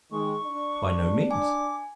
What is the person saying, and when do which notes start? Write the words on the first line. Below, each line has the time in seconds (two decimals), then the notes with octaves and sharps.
"By no means."
0.12 D#3 G#3 C#6
0.44 D4
1.31 G#5 D6